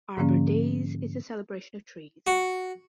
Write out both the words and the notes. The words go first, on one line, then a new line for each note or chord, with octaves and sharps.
Arbor Daze is a celebration of trees.
G#2 D3 F3 A#3 C#4
F#4